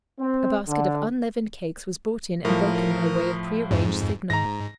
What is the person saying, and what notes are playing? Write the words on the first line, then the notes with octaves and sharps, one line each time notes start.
A basket of unleavened cakes was brought in and broken, by way of prearranged signal.
C4
D3
A2 F3 A#4
F2 G#2
G#2 A#5 A#6